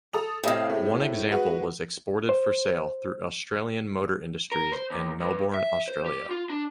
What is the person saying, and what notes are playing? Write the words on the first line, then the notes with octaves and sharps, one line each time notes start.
One example was exported for sale through Australian Motor Industries in Melbourne, Australia.
A4 D#6 F7
A2 C3 G4 D#5 F5
G#3 A3
G#3 F#4 B4
C5
A#4
C5
D#2
G2
E5
C5
G4
F4
D4